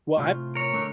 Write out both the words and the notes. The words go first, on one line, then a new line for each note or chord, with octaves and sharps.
Well, I've
A2 C3 F4
A#4 C#5
B1 D3 A3